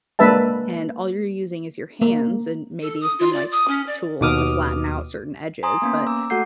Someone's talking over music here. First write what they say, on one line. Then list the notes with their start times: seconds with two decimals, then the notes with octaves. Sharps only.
and all you're using is your hands and maybe some, like, tools to flatten out certain edges, but
0.19 G#3 A#3 D4 B4 E5 A5
2.02 A#3
2.81 A4
3.00 D#6
3.19 F4
3.32 D5
3.51 D#6
3.67 C#4
3.86 D5
4.21 D#2 B2 D6 D#6 F6
5.63 G#5 A#5 C6 D#6
5.82 A#3 B3 C#4
6.07 A#5 D6 E6
6.30 A3 F#4 A4 F#5 G6 C7